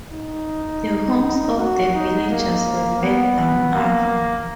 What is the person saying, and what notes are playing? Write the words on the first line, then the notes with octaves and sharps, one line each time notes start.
The homes of the villagers were burned down after.
D#4
F#4
D#4
A#3
B3
A#3